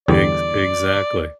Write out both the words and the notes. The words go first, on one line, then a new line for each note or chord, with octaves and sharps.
Ex exactly.
E2 D3 G3 D5